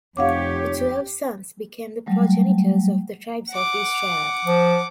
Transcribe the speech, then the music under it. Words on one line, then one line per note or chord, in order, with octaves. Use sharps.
The twelve sons became the progenitors of the "Tribes of Israel".
F1 F2 G4 C#5 F5 F#5 D6
F#3 G3 A3
F#5 D6
F3